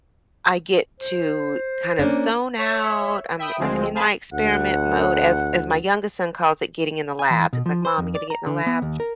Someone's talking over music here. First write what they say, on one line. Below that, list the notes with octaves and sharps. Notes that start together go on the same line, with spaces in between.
I get to kind of zone out. I'm I'm in my experiment mode as as my youngest son calls it getting in the lab. He's, like, "Mom, you gonna get in the lab."
C5
A#3 C#4 D4
C#5 E5
E5 G5 B5 D#6
D2 F3 G#3 C4
G#4 C5 F5 G#5 A5 B5
D2 F#5
G#5
E3
B2
F3
C5
F2
D5
A#5
D3
B3
D#2
A#4